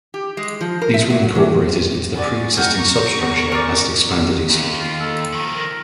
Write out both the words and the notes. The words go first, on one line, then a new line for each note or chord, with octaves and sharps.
These were incorporated into the preexisting substructure as it expanded eastward.
G4
G#3
F3
A#4
E5
F#3
E3
E4 F#4 D5 G#5 A6
G4 D#5 F#5 A#5 C#6 F6 G6
E2
C#4 D#4 G#4 A#4 D5
D#2
F4
A4
D#3 F3
A#4